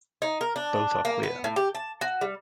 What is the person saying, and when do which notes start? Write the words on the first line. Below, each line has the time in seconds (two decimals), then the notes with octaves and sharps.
Both are queer.
0.22 D#4
0.41 A#4
0.56 D4
1.05 A#3
1.23 B3
1.44 A2
1.56 G4
1.75 A5
2.01 F#4
2.21 G3